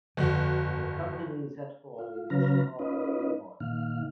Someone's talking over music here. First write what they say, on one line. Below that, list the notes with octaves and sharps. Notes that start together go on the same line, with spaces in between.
The company is headquartered in Chicago, Illinois.
G1 F2 D3 F3 F#4
F4
C#3 F#3 C#4 B4 F5 A#5
C#4 D#4 F4 B4 D#5
A#2 D#3 F5